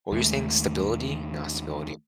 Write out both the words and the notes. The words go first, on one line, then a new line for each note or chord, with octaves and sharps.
What were you saying, stability? Not stability
D#2 G#3 A3